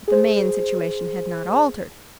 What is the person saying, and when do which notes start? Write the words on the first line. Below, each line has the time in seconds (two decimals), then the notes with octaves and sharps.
But the main situation had not altered.
0.08 G#4 C5